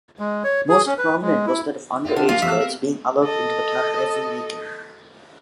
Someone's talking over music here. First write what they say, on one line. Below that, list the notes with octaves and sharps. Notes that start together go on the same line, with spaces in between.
Most prominent was that of underage girls being allowed into the club every weekend.
G#3
C#5
G#4
C#4
B4
G#3
E4
B3 F4 G4 D5 E5
D3 D4
F#3 G#3 A#3 D4 F4 A#4 B4 F5
E3 A3 B3 C4 G4 A4 E5
A#4
A4 D#5